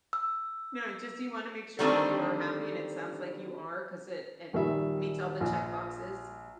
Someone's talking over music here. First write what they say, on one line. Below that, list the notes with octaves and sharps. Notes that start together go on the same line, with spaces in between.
no, just you wanna make sure that you are happy and it sounds like you are 'cause it it meets all the checkboxes
E6
D3 D#3 G3 A3 A#3 C4
A#1 D#3 G3 E5
A#1